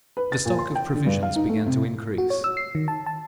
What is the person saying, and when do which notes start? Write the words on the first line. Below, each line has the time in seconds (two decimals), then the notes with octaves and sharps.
The stock of provisions began to increase.
0.17 B4
0.32 A6
0.46 A#2
0.59 C6
0.75 G5
0.95 D3
1.06 G2
1.23 F5
1.35 D#4
1.49 A3
1.66 C3
2.18 F#4
2.30 C#5
2.44 E6
2.57 C7
2.75 D#3
2.88 A5
3.06 A5